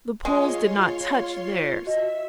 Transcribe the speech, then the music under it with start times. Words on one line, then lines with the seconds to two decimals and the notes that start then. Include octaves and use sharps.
The Poles did not touch theirs.
0.25 G#3 F4 C#5 C6
1.86 F#4 D#5 E5